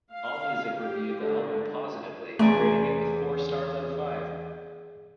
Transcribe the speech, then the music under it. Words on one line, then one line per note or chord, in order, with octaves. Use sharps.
Allmusic reviewed the album positively, grading it with four stars out of five.
F5
G4
D3
E2 C3 A3 C#4 G#4 B4 D5 G#5